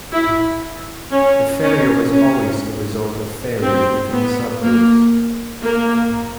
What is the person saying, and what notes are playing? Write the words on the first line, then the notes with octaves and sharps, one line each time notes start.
The failure was always the result of failures within subgroups.
E4
C#4
C#4
C#4
C4
B3
A#3
A#3